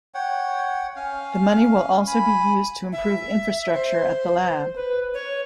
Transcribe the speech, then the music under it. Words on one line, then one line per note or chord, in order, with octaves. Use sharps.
The money will also be used to improve infrastructure at the lab.
C#5 F#5 G5
C#4 F5
G#5 B5
E5
C5
B4
C#5